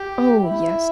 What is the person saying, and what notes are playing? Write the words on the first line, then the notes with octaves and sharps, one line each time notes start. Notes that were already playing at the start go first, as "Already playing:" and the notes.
Oh, yes.
Already playing: G4
E4